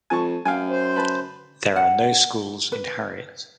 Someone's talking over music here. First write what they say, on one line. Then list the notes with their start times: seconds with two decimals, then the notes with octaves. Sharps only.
There are no schools in Harriet.
0.10 F2 G#5 A5 C#6
0.45 F#2 F5 G5 G#5
0.70 C5
0.96 B4 A5
1.76 F#5
2.72 B4